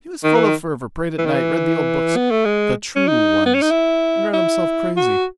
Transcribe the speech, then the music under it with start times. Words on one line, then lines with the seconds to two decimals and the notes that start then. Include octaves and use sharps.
He was full of fervour, prayed at night, read the old books, 'the true' ones, and read himself crazy.
0.23 D#3
0.35 E3
0.45 D#3
1.18 E3
1.26 D#3
1.34 E3
2.16 B3
2.31 A3
2.45 G#3
2.96 C#4
3.07 D#4
3.45 B3
3.54 C#4
3.62 D#4
3.70 E4
4.33 E4
4.96 F#4